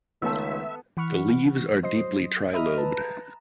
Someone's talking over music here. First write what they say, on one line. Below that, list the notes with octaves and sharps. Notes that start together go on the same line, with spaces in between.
The leaves are deeply trilobed.
C#2 D#3 G#3 A3 B3 A4 E5
E3 F#5 B5 C#6 F6
F#3 C5 D#5 C7
D#5 E5 A#5 B5 D#6 F6
B4 A5 A#5